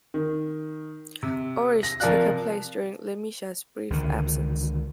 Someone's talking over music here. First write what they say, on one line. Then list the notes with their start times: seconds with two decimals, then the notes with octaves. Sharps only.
Orish took her place during LeMisha's brief absence.
0.14 D#3
1.23 C3
1.83 A#6
2.00 C3 F3 A#4 D5 F5 F#6
3.90 C#2 D3 D#3